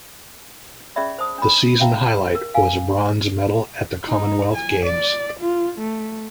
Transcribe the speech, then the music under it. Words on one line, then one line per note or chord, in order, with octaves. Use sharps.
The season highlight was a bronze medal at the Commonwealth Games.
C#4 G#4 C#5 D5 E5 B5
C5 A5 D#6
D4 B5
E5 F5 G5 A5 A#5
A#4
F5 G#5
D#4
G#5
D5
F4
A3